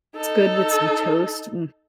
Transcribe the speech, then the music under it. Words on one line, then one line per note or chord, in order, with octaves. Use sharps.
It's good with some toast. Mm.
D#4 A4